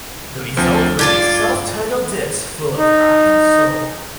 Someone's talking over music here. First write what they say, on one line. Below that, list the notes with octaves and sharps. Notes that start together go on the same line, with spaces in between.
The result was a self-titled disk full of rock and soul.
D2 F3 C4
G2 F4 D5 D6 G#6 A6
D#4